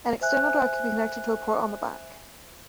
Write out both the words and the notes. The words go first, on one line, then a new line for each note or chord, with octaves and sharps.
An external drive could be connected to a port on the back.
C5 E5 G#5 F#6